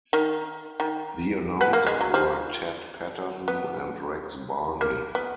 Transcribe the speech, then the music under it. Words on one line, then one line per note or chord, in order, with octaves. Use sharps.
The announcers were Ted Patterson and Rex Barney.
D#3
D#3
B3
A#3
G#3
F#3
F3
B3
A#3
B3